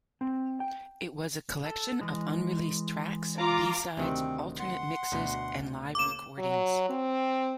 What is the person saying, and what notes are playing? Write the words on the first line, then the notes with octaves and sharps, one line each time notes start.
It was a collection of unreleased tracks, b-sides, alternate mixes, and live recordings.
C4
G5
A4
E3 G#3
F4 A#5 D6
D2 C3 D#3 C4
F#5 C6
D2 B2
C#3 A#3 D6 E7
F#3
C4